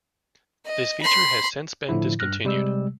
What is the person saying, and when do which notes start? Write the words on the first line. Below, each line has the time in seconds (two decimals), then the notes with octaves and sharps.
This feature has since been discontinued.
0.65 D#5
1.02 B5 C6
1.89 A2 D3 F3 E4
2.19 G2 F6 F#6 A#6
2.45 C3 G3 G#3 E6